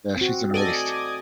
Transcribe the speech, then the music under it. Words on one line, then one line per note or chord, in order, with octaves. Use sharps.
Yeah, she's an artist.
C4 F#4
A4 D5 D#5 G#5